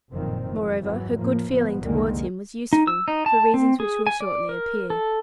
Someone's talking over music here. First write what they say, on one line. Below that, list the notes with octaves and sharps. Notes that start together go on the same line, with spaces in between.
Moreover, her good feeling towards him was useful, for reasons which will shortly appear.
F#1 F2 A#2 D#3 C4
F2 A2
F2 G#2 E3 F#3
A2 F3 A#3
G1 F3 B3
C2 F2 D3 D#3 G#3 A#3
D#4
E6
D#4
A5
C4
G#4
G#5
D5
A#4
A4